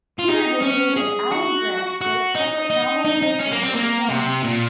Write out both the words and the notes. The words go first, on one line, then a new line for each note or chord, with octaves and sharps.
Peter David and Alan Grant wrote separate novelizations of the film.
F4
D#4
C#4
G#4
F#4
F#4
D#4
D#4
D#4
D#4
C#4
A#3
C4
A#3
C3
A#2